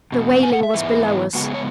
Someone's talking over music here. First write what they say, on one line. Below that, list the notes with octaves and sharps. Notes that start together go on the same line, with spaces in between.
The wailing was below us.
E2 B2
G#5
F#5
E5
G#2 E3 G#3 B3
C#3 G#3 B3 F#4
G#4
C#5